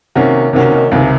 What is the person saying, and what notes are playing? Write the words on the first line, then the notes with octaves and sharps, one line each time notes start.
You know,
C3 D#3 A#3 C#4 F#4
C3 D#3 A#3 C#4 F#4
C#2 C3 D#3